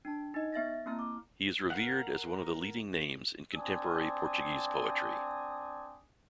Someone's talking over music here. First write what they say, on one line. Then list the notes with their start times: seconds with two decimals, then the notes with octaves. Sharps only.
He is revered as one of the leading names in contemporary Portuguese poetry.
0.05 D4 A5
0.34 D#4 D#5
0.52 B3 E5 A6 A#6
0.86 A#3 C4 E4 A#5 F6
0.99 D6
1.70 A#4 F5 F#5
3.54 C4 D4 G#5 D#6